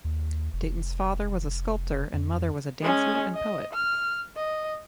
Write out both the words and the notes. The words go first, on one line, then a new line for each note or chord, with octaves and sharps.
Dayton's father was a sculptor and mother was a dancer and poet.
D#2
F1
F2
G#3 C#4
D#5
F6
D#5